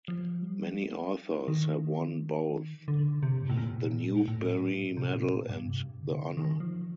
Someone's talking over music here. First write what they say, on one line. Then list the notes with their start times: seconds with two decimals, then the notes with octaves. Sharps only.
Many authors have won both the Newbery Medal and the Honor.
0.08 F3
0.42 G3
1.48 D#3
2.88 D3
3.23 C3
3.42 G2
3.50 A2
3.58 A#2
4.28 A2
4.97 C3
5.15 A#2
5.50 G2
5.68 C3
6.02 D3
6.37 D#3
6.60 F3